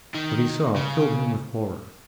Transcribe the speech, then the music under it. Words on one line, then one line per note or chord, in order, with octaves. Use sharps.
What he saw filled him with horror.
D#3
C#3